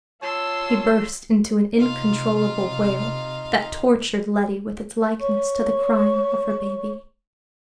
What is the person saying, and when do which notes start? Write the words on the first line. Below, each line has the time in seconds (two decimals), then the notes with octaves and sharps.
He burst into an incontrollable wail that tortured Letty with its likeness to the crying of her baby.
0.22 F4 C#5 A5 C6 E6
1.78 C3 D#4 F4 F5
5.19 C#5 C#6